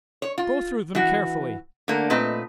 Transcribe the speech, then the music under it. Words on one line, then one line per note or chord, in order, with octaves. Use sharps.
Go through them carefully.
C#5
F4
E3 F#4
D3 A3 A#3
A#2 A3 C4 B4 D#5